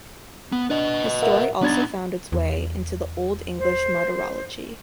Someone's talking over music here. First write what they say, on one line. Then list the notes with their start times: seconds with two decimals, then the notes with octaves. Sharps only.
His story also found its way into the Old English Martyrology.
0.52 B3
0.70 D4 B4 D#5
1.22 A#4 E5 F#5
1.62 B3 D4 D#4 G#6 A6
2.32 E2
3.58 C5